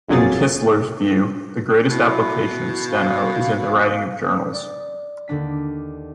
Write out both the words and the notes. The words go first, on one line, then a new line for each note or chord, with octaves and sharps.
In Kistler's view, the greatest application of Steno is in the writing of journals.
G1 F2 F#3 A#3 G#4 A6
B2 E4
F5
D5
D#2 D3 D4 B6